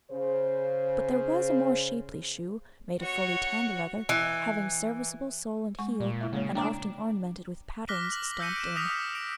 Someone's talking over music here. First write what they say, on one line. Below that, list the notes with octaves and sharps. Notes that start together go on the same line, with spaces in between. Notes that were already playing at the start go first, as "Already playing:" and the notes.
But there was a more shapely shoe, made of fully tanned leather, having serviceable sole and heel, and often ornamented with patterns stamped in.
C#3 C5
F#4 C#5
E3
G#3 G#5 C#6
A#2
E4 E5
C#3 G#3 A#3 C#5
D4 G5 A#5 D6
D6 F6 F#6 A#6 B6 G7
F#7
E6 G6 A#6 C#7 D#7
D7 E7
D#6 F6 A#6 B6 F7
D7